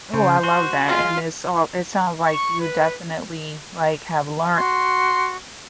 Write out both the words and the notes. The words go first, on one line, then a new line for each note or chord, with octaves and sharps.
Oh, I love that and it's all it sounds like you definitely, like, have learned,
C#3 C5
F#4 C6
G#3 F4
C#6
B4
F#4 C6